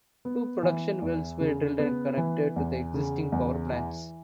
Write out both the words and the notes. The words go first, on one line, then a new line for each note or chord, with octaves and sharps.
Two production wells were drilled and connected to the existing power plants.
B3
E3
E2
C#3
B3
E3
E2
C#3
E2
E3